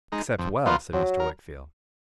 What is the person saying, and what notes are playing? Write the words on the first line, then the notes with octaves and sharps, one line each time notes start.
'Except well?' said Mr. Wickfield.
G#3 D#4
F2
F3 B3 F4 A#4
F2 F#3
A#4